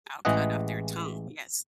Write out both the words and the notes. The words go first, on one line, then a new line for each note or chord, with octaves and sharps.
"I'll cut out their tongue." Yes.
A1 E3 G#3 G#4 D#5 F#5